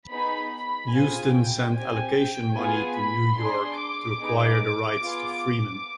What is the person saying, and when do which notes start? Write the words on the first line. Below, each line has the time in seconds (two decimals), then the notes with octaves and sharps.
Houston sent allocation money to New York to acquire the rights to Freeman.
0.10 B3 D#4 G#4 B5
0.52 B5
0.92 C4 F4 G#4 G#5
1.34 G5
1.74 C4 G4 G#5
2.16 G5
2.56 B3 F4 G#4 G#5
2.98 B5
3.38 D4 G#4 C6
3.79 D6
4.20 B3 D#4 G#4
5.02 B3 F4 G#4